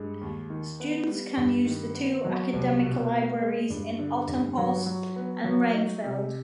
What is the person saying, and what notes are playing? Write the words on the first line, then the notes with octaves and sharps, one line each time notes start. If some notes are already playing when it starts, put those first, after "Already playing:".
Students can use the two academic libraries in Altenholz and Reinfeld.
Already playing: G2 G#3
D#2
D#3
B3
G3
G2
D#3
B3
F#3
C2
B2
B3
G#3
G2
D3
G2
F#3
F#3
B3
F#3
D#4
C3